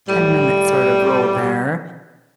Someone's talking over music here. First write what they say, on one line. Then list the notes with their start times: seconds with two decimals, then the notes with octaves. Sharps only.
ten-minute, sort of, rule there,
0.08 A2 G3